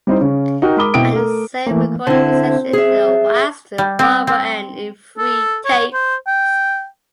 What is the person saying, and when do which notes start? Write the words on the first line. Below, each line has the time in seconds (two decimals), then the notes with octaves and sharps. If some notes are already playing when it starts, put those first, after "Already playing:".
At the same recording session they waxed "Barbara-Ann" in three takes.
0.07 G3 C4 D#4 E4 C5
0.21 C#3 C#4
0.62 D#4 F#4 A#4 G5
0.77 G#3 A#4 B5 D6 D#6 G7
0.94 B2 C4 E4 G5 D#6 D7
1.12 A3 A4 A#4
1.67 E3 A3 A#3
2.07 D3 C4 E4 C5
2.73 G#4 E5
3.78 G3
3.99 C4
4.27 C4
5.18 A4
5.65 C#5
5.93 C5
6.27 G5